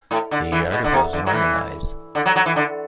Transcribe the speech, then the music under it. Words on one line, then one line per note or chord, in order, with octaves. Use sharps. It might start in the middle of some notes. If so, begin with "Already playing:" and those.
The articles in Organise!
A2
D3
E3
B2
D3
C3
D3
F#3
E3
D3
F#3
F#3
E3
D3